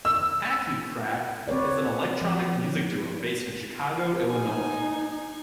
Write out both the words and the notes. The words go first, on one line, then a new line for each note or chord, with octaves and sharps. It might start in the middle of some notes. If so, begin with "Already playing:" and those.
Acucrack is an electronic music duo based in Chicago, Illinois.
E6
C4 B4 C#5 D5
F3
D#4 G#5